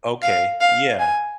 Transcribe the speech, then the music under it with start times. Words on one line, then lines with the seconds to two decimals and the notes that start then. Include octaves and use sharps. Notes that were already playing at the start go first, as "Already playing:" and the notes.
Okay, yeah.
0.23 F5
0.61 F5
0.99 G#5